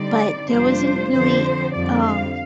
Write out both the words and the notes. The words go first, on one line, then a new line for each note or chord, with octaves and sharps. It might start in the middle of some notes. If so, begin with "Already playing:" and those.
but there wasn't really, um
Already playing: D3 G3 C4 D#4 D5
F2 C3 G3 D4 F4 C5
F2 D3 F3 C4 C5
F2 D3 G3 C4 D5
F5